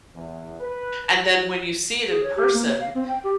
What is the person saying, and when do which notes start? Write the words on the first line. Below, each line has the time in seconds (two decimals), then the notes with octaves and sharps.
And then when you see it in person,
0.14 E2
0.60 B4
1.23 F#3
2.08 G#4
2.23 C#5
2.36 G4
2.53 A#3
2.66 C#5
2.80 F5
2.95 C4
3.08 G5
3.24 G4